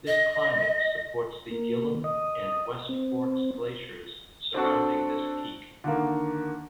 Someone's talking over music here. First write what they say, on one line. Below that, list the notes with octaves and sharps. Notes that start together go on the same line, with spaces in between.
This climate supports the Gillam and West Fork Glaciers surrounding this peak.
D#5
A#3
D#5
C4
C4 D4 F#4 A4
D3 D#3 A#3